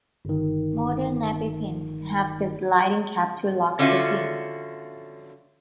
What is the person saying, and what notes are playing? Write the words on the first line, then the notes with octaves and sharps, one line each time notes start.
Modern nappy pins have the sliding cap to lock the pin.
G1 D#3
D3 C#4 F4 F#4 E5